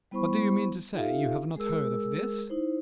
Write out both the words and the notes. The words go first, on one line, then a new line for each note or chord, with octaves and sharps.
But do you mean to say you have not heard of this?
G3 B3 E4 C5 B5 C#6
D#4 F4 G4 A4 E5 F5
G#3 G#4 A#4 E6
D#4 E4 C5